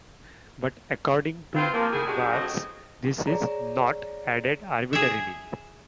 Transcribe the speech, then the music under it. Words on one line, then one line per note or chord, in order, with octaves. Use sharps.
But according to Barthes, this is "not" added arbitrarily.
E3 C4 E4 F4
C3 F3 A#3
D#3 A3 E4 G#4
F#3 G#3 D4 F#4 G4
A2 C#3 F3 F#3 C4 D#5
G#4 C#5 D5 A#5
G#4 E5